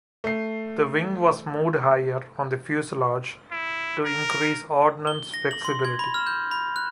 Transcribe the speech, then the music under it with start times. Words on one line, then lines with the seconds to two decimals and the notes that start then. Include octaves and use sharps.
The wing was moved higher on the fuselage to increase ordnance flexibility.
0.24 A3 C7
3.51 E4
4.05 A#4
5.07 G7
5.34 A#6
5.51 F#7
5.65 C6
5.85 G#6
5.99 B5
6.14 F6
6.27 G6
6.51 B5
6.76 F#6